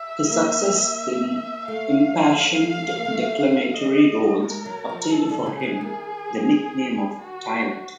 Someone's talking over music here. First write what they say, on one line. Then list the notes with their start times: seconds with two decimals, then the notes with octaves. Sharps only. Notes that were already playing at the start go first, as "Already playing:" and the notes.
His success in impassioned declamatory roles obtained for him the nickname of "Tyrant".
Already playing: E5
0.30 A#3
1.68 A3 F5
2.97 A#3
3.05 A3
3.74 D#5
4.43 G#3 A#4
4.66 F#3
4.89 F3
5.11 E3 A4
5.29 D3
5.46 C#3 G#4
5.60 D#3
5.64 E3
5.81 D#3
7.19 F#4